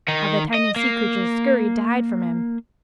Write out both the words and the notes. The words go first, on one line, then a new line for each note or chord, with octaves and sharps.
How the tiny sea creatures scurried to hide from him.
D#3 D#4
D#5
A#3